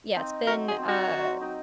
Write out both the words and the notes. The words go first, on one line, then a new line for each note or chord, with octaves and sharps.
yeah, it's been, uh
C4 D#4
F#3 A#4
G#4
C4 D#4
F#4
F#3
C4 D#4